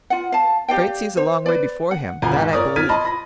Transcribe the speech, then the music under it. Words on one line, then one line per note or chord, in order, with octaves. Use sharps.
The Frate sees a long way before him; that I believe.
F4 F#5
F5 A5
G4 D5 F5 G5
C5
B4 D5
F#5
D#1 D2 F4 B4 G#5 A#5
G#2
A#4 C#5 D5 D#6
F6 G#6 A6 B6 D#7
D#5 A5 B5 C6
B5 A#6